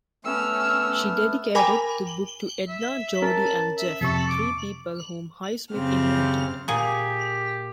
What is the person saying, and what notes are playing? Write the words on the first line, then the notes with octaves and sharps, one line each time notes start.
She dedicated the book to "Edna, Jordy and Jeff"-three people whom Highsmith invented.
A3 B3 C#4 E6 F6
A#4 G5 G#5 B5 D6
E5
C#4 A#4 A5
E5
F2 C3 A4 C#6
D6
F#2 C#3 C4 G4 F6
A#2 G4 G#4